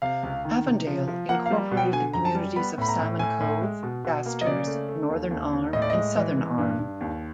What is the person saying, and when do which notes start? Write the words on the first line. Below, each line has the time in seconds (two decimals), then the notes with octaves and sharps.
Avondale incorporated the communities of Salmon Cove, Gasters, Northern Arm, and Southern Arm.
0.02 C3 F5
0.23 C#2
0.45 D#3
0.66 C3
0.87 F3
1.07 F3
1.29 A#3 F#5
1.46 F5
1.50 G3
1.71 B2
1.77 G5
1.92 D3 G#5
2.13 F#2 A#5
2.25 A5
2.35 G3
2.56 B3 B5
2.78 A2 B5
2.88 A#5
2.99 A2
3.19 A2 G#5
3.40 A2
3.62 G#3
3.83 B2
4.04 B2
4.26 A#3
4.41 D#5
4.46 C#3 D5
4.67 A3
4.89 A3
5.10 D#2
5.31 D#2
5.53 D#2
5.73 A2 D#5
5.82 D5
5.90 G#3 D#5
6.16 E3
6.37 E3
6.58 G2
6.79 G2
7.01 D#2